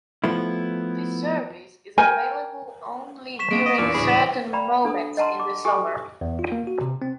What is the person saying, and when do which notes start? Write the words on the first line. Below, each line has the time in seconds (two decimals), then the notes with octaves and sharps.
This service is available only during certain moments in the summer.
0.24 F3 A3 B3 E4
1.98 A#4 G5 G#5
3.39 C#6 B6 E7
3.51 G#3 A#3 C4 D4 C7 D7
3.66 D#5
3.78 E2 A#2 B3 D4 D5 C#6 D6
3.94 D2 A2 C#3 G#4 B5
4.08 C2 B6 E7 F#7
4.53 D5 F5 G5 A#5 B5
4.85 D4 A4 D#6
5.17 D#5 F#5 A5 A#5 C6
5.39 D6
5.65 G4 A4 G#5 D#6
6.21 E2
6.39 F4
6.52 A#3
6.67 F#4
6.81 C3
7.02 C4